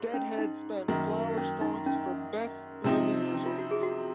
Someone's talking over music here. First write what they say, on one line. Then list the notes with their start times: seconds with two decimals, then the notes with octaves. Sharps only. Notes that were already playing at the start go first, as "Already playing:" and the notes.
Deadhead spent flower stalks for best blooming results.
Already playing: G#2
0.14 C#4
0.39 D#4
0.88 F#2 D#3 A#3
1.37 C#4
1.61 D#4
1.86 C#4
2.84 C3 F3 C4 C#4 D#4
3.34 C#4
3.46 F4
3.58 F#4
3.71 G#4
3.83 F#4